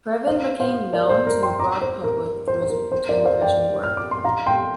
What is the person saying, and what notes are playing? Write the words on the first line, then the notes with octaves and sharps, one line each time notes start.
Previn became known to a broad public through his television work.
C5 F5
C5 F5
A#4 D5
C5
A#4
G5 C6
A#5 D6
C5
A#4
A#4
C5
C5
A#4
C5
A#4 D5
C5 F5
D5 G5
F6
D6
C6
F5 A#5
G5 C6